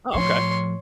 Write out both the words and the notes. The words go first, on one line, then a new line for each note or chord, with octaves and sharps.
Oh, okay.
A2 F3 C#5 C6